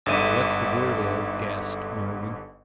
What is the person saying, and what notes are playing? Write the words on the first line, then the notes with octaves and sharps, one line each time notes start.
"What's the word, Ed?" gasped Merwin.
G1 G#2 D3 E5 D#7